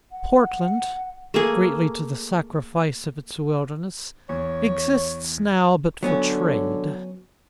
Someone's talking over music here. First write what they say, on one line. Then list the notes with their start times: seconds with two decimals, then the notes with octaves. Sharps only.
Portland, greatly to the sacrifice of its wildness, exists now but for trade.
0.11 F#5
1.34 A3 A#3 G#4
4.29 E2 C#5
6.03 D3 F#3 B3 C#4